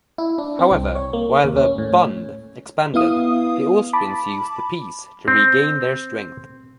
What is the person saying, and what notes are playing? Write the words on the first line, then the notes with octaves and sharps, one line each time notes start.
However, while the "Bund" expanded the Austrians used the peace to regain their strength.
E4
D4
C4
C2
C#5
A#3
D#2
C#4
A2
B3 E4 F5 D#6
A5 B5 D6
C4